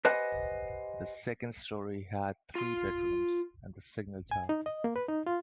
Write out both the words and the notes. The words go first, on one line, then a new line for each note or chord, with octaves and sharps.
The second story had three bedrooms and the signal tower.
G4 B4 C5 D#5 F#5 G#5
F4 C6
G#5
D#4
D#5
A#3
B4
D#4
F4